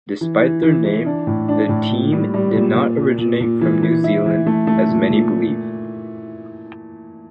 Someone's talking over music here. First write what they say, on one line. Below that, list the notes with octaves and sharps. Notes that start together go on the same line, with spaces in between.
Despite their name, the team did not originate from New Zealand as many believe.
E3
E3
E3
E3
D4
A2
D4
A2
A#2
G3
G3
A#2
A#2
A#2
A#2
A#2
E3
E3
E4
E3
A3
A3
A#2
A#2